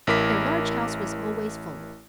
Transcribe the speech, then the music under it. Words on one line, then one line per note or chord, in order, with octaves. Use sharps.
Their large house was always full.
A1 E4 A#4 D6 B6